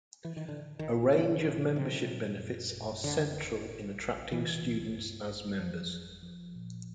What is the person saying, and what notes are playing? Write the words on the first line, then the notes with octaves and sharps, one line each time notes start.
A range of membership benefits are central in attracting students as members.
E3
D#3
A2 D3
A1 D#3
D3 F3
A#2
C3 F#3
A#2
F#2
G1
F2 D3
G1
A2
A#1
C3 E3
C#2
G2
G#1
F2 F3
G1
F3
A#2